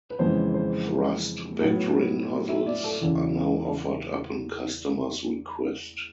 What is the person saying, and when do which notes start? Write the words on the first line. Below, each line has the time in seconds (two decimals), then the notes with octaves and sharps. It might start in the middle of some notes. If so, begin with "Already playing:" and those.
Thrust vectoring nozzles are now offered upon customer's request.
0.10 B4
0.19 F2 C#3 E3 G#3 B3 C5
0.54 C5
1.60 A2 F#3 B3
2.49 E5
2.66 D5
2.84 A4
3.01 E2 C#3 E3